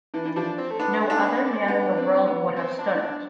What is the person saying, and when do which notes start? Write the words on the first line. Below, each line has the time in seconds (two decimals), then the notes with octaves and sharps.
No other man in the world would have stood it!
0.14 E3 D4
0.26 E3
0.36 F3 D4
0.58 C4
0.71 A3
0.79 B3 D4
1.03 A3
1.10 D4
1.20 C4
1.24 B3
1.45 D4
1.68 B3
1.98 C4
2.27 B3
2.56 C4
2.79 D4
2.95 E4
3.00 D4